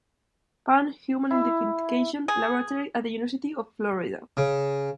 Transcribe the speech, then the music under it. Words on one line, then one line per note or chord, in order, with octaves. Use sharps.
Pound Human Identification Laboratory at the University of Florida.
E4
G#4
C#3